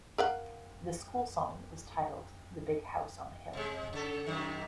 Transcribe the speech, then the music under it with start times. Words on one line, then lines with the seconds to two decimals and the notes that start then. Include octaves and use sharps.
The school song was titled "The Big House on the Hill".
0.18 A#4 F5 F#5
3.53 C3 G#3
3.93 C#3 A4
4.27 F#2 C3 D#3